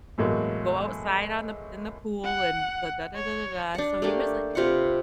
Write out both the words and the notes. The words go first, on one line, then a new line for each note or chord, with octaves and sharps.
go outside on the in the pool and the da da da da da," so he was, like,
E2 A2 F#3 G#3 A#3
F#5
C#5
D4 F#5
A3 A#3 D4 G4
C3 F4 B4 F#5